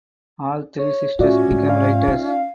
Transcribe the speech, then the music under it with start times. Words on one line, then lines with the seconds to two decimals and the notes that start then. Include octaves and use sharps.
All three sisters became writers.
0.79 C#5
1.19 A2 C#4 F4 F#4 D5 E5
1.51 G#2
1.69 F5
2.08 D#4